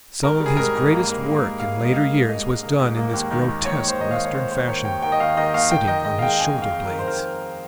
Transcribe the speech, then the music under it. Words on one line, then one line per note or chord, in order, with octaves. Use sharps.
Some of his greatest work in later years was done in this grotesque Western fashion,--"sitting on his shoulder-blades."
G#1 A#4
G3
G#4
G#2 A#4
G#2
A#3
A#3
A#3
G#2
G#2 F5
G#1
D#5
G#1 F5
G#2
G#1 D#5
G#2
A#3
G#2
A#3
D#2
D#3
D#2
D#2 C#5
D#3 C5
D#3 D#5
F5
D#2
C#5
D#2 C5
D#2 C5
D#3 C#5
D#2 G5
D#3 G5
D#5
D#2 F5
D#3 D#5
D#2 F5
D#3 G5
D#3 D#5
G#3 D#5
F5
G#3 G5
F2 G#5
F2
F5
G#3
D#3 A#4
C5
D#3 A#4